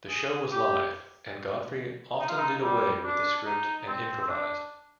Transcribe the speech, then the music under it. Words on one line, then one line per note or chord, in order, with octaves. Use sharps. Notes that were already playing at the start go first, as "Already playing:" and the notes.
The show was live, and Godfrey often did away with the script and improvised.
G#4
G4
D#4
F4
D#4
G3
D4
D#4
C4
C4
D4